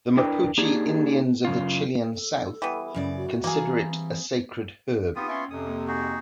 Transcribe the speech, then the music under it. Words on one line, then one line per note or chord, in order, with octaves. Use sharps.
The Mapuche Indians of the Chilean south consider it a sacred herb.
D4 E4 A#4 B4 G5
A#3 D4 D#4 G4 G#4
F#2 C#3 F4
A4
E3 G3 B3
F#2 C#3 C#4 D5
F#4
E3 G3 A#3 G#4
C4
E3 B3 C4 D#4 F4 G4 D#6
C#4 E5 G5 G#5 C6 C#6
F2 C3 D#6
A#3
D#4 F#4 G#4